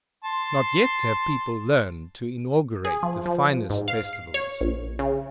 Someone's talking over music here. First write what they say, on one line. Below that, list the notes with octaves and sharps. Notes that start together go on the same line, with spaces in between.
Not yet have people learned to inaugurate the finest festivals.
A5 C6
G#4
F3
F3
G#2
F5
C7
C#5
A#1
C#3